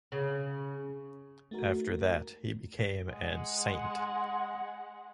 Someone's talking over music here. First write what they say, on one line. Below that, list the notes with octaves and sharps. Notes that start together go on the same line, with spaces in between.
After that he became an Saint.
C#3
A3 D#4 F#4 A#4
G#3 F#5